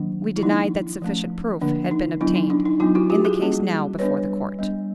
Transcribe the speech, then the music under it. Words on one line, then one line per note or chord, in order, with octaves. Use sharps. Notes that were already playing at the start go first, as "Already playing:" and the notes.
We denied that sufficient proof had been obtained in the case now before the court.
Already playing: D#3 F#3 A#3 D4
E4
F3 A#3 D4 D#4
F3 A3 C#4
D3 F3 A#3 D4
D#4
F#3 B3 D4 E4
D#4
D4
D#4
F#3 B3 D4 D#4 F4
E4 F#4
F4 G4
F#4 G#4
G3 A#3 C#4
G3 B3 D4 B4 C#5
G3 B3 D4